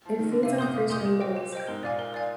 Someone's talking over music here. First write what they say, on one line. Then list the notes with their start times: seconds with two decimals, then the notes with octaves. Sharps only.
It feeds on fish and molluscs.
0.05 F3
0.19 D#3
0.32 D3
0.43 C3 F5
0.58 A#2 C6 D#6 G6
0.73 A#2 F5
0.89 A#2 C6 D#6 G6
1.06 G4
1.21 C5 D#5 G5
1.36 G4
1.53 C5 D#5 G5
1.67 G#2 A#4
1.83 A#2 D5 F5 G#5
1.99 A#4
2.14 D5 F5 G#5